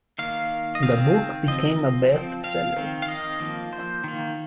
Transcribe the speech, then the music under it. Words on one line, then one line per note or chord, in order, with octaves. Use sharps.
The book became a best-seller.
D#3 A#3 F5
D#5
D#3 C4 F5
F3 C4 D#5
D#5
F3 C4
F5
D#3 C4
F5
D#5
F3 A#3
C5
D#3 A#3